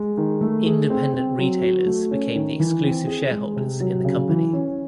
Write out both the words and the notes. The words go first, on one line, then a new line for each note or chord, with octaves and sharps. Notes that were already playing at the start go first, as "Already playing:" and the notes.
Independent retailers became the exclusive shareholders in the company.
Already playing: G#3
D#3
A3
G#4
C4
C4
F#3
F#4
A3
C#4
D#3
E3
C4
G#4
G#3
C3
F#3
C#3
E3
C#4